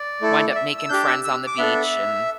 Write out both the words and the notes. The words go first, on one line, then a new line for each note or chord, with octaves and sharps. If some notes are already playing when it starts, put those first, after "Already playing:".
wind up making friends on the beach, and
Already playing: D5
A3 E4 A4
D5
E5
E6
E6
D4 G4 G6
E6
E6
D6
B3 D4 A4 E5